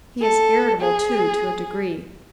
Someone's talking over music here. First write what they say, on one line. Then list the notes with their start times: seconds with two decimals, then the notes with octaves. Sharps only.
He is irritable, too, to a degree.
0.21 A4
0.81 G#4